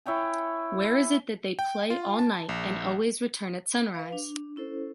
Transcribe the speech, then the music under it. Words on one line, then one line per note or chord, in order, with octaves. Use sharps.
Where is it that they play all night and always return at sunrise?
E4 C#5 G5 G#5
G5
F4
A5
A#1
B4 F5
D4
C#4 E4 A4 C5